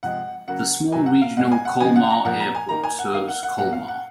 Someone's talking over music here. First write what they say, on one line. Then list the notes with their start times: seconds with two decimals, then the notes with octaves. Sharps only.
The small regional Colmar Airport serves Colmar.
0.03 C3 F3 G#3 F#5
0.48 C#3 F#3 A#3 F#5
0.92 C3 F#3 A#3 G#5
1.06 F#5
1.22 F5
1.37 A#2 G#3 F#5
1.52 G#5
1.65 F#5
1.80 C#3 F3 G#3 G#5
1.96 F#5
2.10 A#5
2.25 A#2 F3 A#3 F#5
2.40 A#5
2.55 G#5
2.69 D#3 A#3 A#5
2.84 G#5
2.99 F#5
3.13 D#3 A#3 F5
3.28 F#5
3.43 F#5
3.58 A#2 F#3 A#3 F#5
3.73 F5
3.88 F#5